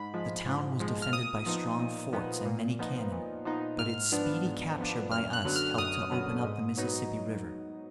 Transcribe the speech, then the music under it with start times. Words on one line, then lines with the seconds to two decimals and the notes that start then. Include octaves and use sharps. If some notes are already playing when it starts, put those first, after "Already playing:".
The town was defended by strong forts and many cannon, but its speedy capture by us helped to open up the Mississippi River.
Already playing: G#2 B5
0.14 F3 G#3
0.46 G#2
0.80 F3 G#3
1.02 F6
1.13 A#2 D#6
1.46 F3 B3 D#4
1.79 A#2
2.13 F3 B3 D#4
2.46 A#2
2.79 F3 B3 D#4
3.12 A#2
3.45 F3 B3 D#4
3.78 G#2 F6
4.12 F3 B3 D4
4.45 G#2
4.78 F3 B3 D4
5.12 F#2 F6
5.33 F#6
5.44 D3 F#3 B3
5.56 F6
5.78 F#2 D#6
6.11 D3 F#3 B3
6.44 G#2
6.78 F#3 B3 D#4